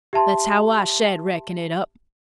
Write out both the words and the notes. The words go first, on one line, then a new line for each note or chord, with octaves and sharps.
That's how I shed reckon it up.
G4 E5 A5 C6